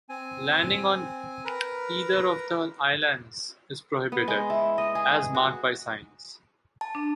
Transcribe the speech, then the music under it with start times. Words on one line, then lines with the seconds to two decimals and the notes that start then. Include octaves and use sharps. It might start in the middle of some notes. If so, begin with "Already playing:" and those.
Landing on either of the islands is prohibited, as marked by signs.
0.09 C4 G#5
1.45 A#4 B4 A#5
4.12 B3
4.28 G#3
4.50 E4
4.78 D#5
4.95 G#4
5.35 F#4
6.81 A5
6.95 D4